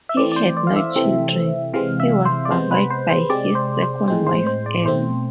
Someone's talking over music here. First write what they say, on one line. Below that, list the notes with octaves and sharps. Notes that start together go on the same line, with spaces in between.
He had no children; he was survived by his second wife Emma.
E5
E3 A3 C4 D5
D5
C5
D5
F5
E5
C3 E3 A3 C4
C3 E3 G#3 C4 F5
E5
C5
D5
C3 G#3 B3 C5
B4
C5
C5
C3 G#3 C4 D5
C5
C5
A2 G#3 C4 C5
C5
C5
D5
B2 A3 C4 C5